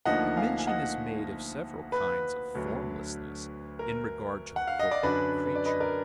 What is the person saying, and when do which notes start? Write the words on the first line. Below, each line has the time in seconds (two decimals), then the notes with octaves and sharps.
But mention is made of several kinds of formlessness, in regard to the corporeal creature.
0.05 D2 D3 F3 A#3 D#4 D#5 F#5
0.37 F5 G#5
0.58 G#5
0.67 D#5 F#5
1.92 B4
2.54 D2 D3 F#3
3.79 A#4
4.56 F#5
4.67 F5
4.79 D#5
4.91 D5
5.03 F#2 D3 F#3 D4 B4
5.46 B4
5.55 D5
5.65 B4 D#5
5.80 A#4 D5